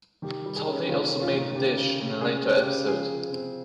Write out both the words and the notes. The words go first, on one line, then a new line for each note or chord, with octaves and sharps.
Talde also made the dish in a later episode.
D#3 G4
G3
G#4
C#4
D#3 F4
C#4
F4
D#3
C#3 G4
C#3
C#3
C#3 G#4
G#3
G4
C#3
F3 G#4
F3
C4